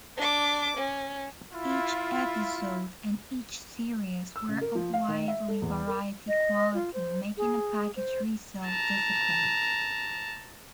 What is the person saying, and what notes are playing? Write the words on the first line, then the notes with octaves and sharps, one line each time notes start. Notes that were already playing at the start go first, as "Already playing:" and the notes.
Each episode and each series were of widely varying quality, making package re-sale difficult.
D4 D6
C#4
E4 F4
E6
C#3
A#4
F3
F5
D#3
E5
A4
E2
A#4
D#5
F4
C5
G#4
C5
A5 A#5